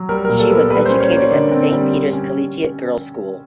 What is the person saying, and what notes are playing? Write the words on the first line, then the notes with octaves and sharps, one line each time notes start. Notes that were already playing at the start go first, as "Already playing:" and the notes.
She was educated at the Saint Peter's Collegiate Girls' School.
Already playing: F#3
G3 A#4
A#4
A#2
A4
B3
A#4
G3 B4
C5
C#4
C#5
A#3
D5
D3 D5
C4
G3
G3
C#4